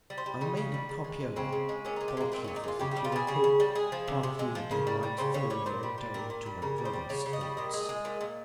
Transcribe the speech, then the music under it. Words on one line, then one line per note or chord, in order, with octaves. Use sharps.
"I made a copy of it,--partly for security, partly that I might thoroughly enter into my brother's thoughts."
G3
C5
G3
C#3 D#4
C#3
G3
C#3
G#3
G#3
C#3 C4
C#3
G#3
A#2 C#4
D#4
G#3
G4
G#3 A#3
A#2 C4
A#2 C#4
D#4
G#3 F4
C#3 G4
G4
G3
F4
G3 G#4
C#3 G#4
C#3
G3
G#3 G#4
F3
C3
C3
G#3
F3
C#3 A#4
G3
G3
C#3 C5
C#3 C#5
G3 C#5
A#2 C5
G3
G3
A#2 A#4
A#2
G3
C#3 A#4
G3
C5
G3
C#3 C#5
C#3
D#5
G3
A#2 D#5
G#3
G#3
A#2
A#2